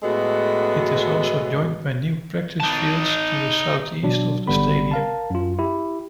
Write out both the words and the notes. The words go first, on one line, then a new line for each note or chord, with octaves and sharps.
It is also joined by new practice fields to the southeast of the stadium.
A2 G#3 B3 F#4 A4
D#4 A5
B2 F#3 D4
G#1 D3 G3 B3 B5
A#4 F5 A5
F#2 F4
E4 G4